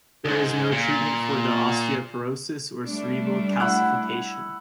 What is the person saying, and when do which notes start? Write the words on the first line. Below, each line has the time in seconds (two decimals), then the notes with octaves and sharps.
There is no treatment for the osteopetrosis or cerebral calcification.
0.25 C#2 G#2
0.72 A#2
2.84 G3 A3 D4
3.60 E4 F#5 B5